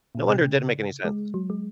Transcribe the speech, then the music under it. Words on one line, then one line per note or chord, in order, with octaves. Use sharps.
No wonder it didn't make any sense."
A#2
C3
C#3
G#3
F#3
G#3